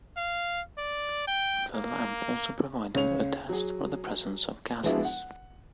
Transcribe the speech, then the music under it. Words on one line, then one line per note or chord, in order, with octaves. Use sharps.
The lamp also provided a test for the presence of gases.
F5
D5
G5
A#3
C#2 C#4 C#5 F7
F#3 G#4
F3 G#3 B3 D4 E4 F#4
F#5